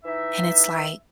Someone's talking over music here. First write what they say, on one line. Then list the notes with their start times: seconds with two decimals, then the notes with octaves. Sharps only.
and it's like
0.04 E3 D#4 E5